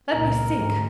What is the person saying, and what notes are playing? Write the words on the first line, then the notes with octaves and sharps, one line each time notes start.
"Let me think."
C#2 A#2 A#4
D2 G#2